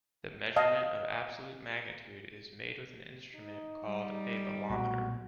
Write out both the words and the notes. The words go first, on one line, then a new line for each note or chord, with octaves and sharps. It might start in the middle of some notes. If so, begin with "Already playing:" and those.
The measurement of absolute magnitude is made with an instrument called a bolometer.
D#5 F5 A5
D#4
G3
B1 A#2 A3 F#4